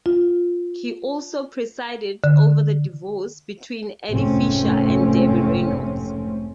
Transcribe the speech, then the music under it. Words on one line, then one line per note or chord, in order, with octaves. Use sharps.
He also presided over the divorce between Eddie Fisher and Debbie Reynolds.
F4
D3
F1 G#2 A3 C4 C#4